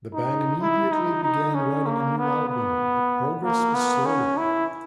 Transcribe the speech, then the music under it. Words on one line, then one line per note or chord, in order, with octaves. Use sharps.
The band immediately began writing a new album, but progress was slow.
D#4
E4
D#4
D#4
C#4
A#3
B3
B3
A#3
B3
C#4
E4